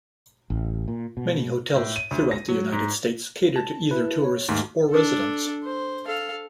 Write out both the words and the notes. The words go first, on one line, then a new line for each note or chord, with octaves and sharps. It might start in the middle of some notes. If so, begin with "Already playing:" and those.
Many hotels throughout the United States cater to either tourists or residents.
A1
A#2
B2
A2
D#7
D2
A#6
F#3
G#2
A5
E4 B4
C#5
D#2 G#2 A3
D4 A4
C5
A4 F5